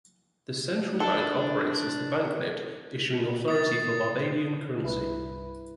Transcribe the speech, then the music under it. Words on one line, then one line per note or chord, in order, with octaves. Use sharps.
The Central Bank operates as the banknote issuing authority for Barbadian currency.
D4 A4
D#6 A6
C2 G2 E4 B4